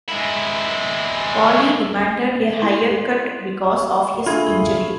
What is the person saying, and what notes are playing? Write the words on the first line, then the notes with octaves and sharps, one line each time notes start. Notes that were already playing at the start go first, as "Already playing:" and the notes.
Paulie demanded a higher cut because of his injury.
G#3 E4
E4 C6
A3 D4 F4 G#4 B5 G#6